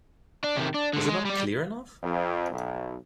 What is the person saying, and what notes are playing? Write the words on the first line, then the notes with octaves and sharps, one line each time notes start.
Is it not clear enough?
D4
C3 D#3
D4
D3 G#3
G#3
G3 D5
F2
B1